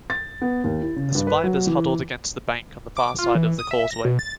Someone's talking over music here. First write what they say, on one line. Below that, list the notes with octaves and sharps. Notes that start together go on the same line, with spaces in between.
The survivors huddled against the bank on the far side of the causeway.
A6
B3
D#2
E4
C#3
G2
B4
F#3
E3
D6
F4
E3
D#6
E5
A#6
B2
A6